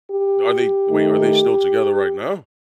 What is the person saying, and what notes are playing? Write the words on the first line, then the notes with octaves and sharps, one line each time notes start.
Are they wait, are they still together right now?
G4
D#3 A3 D#4